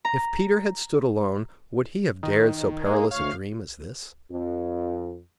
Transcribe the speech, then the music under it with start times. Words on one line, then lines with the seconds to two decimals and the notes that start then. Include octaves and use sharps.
If Peter had stood alone, would he have dared so perilous a dream as this?
0.05 A#5
2.23 D#3
2.86 G#3 A#3 D#4 G#4
3.11 D2 C#5 F5
4.30 F2